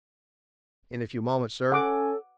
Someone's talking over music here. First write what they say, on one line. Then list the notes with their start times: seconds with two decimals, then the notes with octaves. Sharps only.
"In a few moments, sir."
1.72 C#4 A4 F#5 G#5 D6